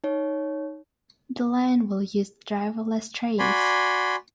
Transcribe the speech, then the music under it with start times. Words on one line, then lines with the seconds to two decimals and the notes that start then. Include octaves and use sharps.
The line will use driverless trains.
0.04 D#4 C#5
3.39 F#4 D5 G#5 B5 C6